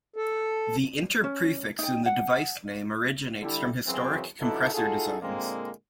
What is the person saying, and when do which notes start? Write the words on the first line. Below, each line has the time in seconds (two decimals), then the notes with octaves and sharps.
The inter prefix in the device name originates from historic compressor designs.
0.16 A4
1.24 C#4
1.79 D#4 G5
2.06 F#5
3.42 D3 G3 E4
3.87 F#2 C#3 E3 F#3 C4 F#4
4.40 G2 D3 D#4 E4 F#4 A4
4.74 D#4 F4 F#4 G#4 A4
5.22 A#2 D3 G#3 A#3 C4